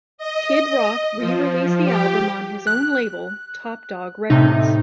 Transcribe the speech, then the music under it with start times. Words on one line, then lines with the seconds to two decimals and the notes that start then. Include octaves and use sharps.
Kid Rock re-released the album on his own label, Top Dog Records.
0.18 D#5
1.17 F3
1.83 G4
2.67 F#6
4.30 A2 C3 D#4